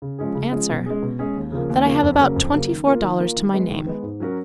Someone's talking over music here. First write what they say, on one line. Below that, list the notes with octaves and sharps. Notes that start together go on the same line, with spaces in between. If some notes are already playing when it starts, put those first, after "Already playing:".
Answer.--That I have about twenty-four dollars to my name.
C#3
F3 G#3 C#4 G#4
C#3
F3 G#3 C#4 G#4
B2
G#3 C#4 G#4
B2
G#3 C#4 G#4
D#2
C#3 F3 A#3
D#2
C#3 F3 A#3
F2
C#3 F#3 A#3 C#4
F2
C#3 F#3 A#3 C#4
D#3
A#3 F4 A#4
D#3
A#3 F4 A#4
D#3
G#3 B3
D#3
G#3 B3
G#2
F#3 C#4 F#4 A#4